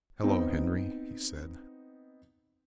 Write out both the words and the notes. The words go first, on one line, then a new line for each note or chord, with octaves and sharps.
"Hello, Henry," he said.
B3 C4 D#4